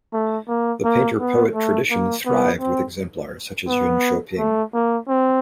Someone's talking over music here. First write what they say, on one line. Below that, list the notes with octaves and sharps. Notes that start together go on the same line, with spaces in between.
The painter-poet tradition thrived with exemplars such as Yun Shouping.
A3
A#3
A#3
B3
A3
A#3
B3
C4
B3
A3
A#3
C4